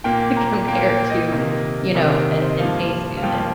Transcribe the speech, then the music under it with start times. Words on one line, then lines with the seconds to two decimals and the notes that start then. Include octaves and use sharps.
compared to, you know, a an A student.
0.04 A#2 A#3 G5
0.37 A#5
0.68 A#2 A#3 G5
0.89 G5
1.10 D#5
1.32 C3 D#3 A#3
1.95 C3 D#3 A#3
2.42 C5
2.50 D#5
2.59 G2 F3 A#3 F5
3.17 F5
3.23 G2 F3 A#3 G5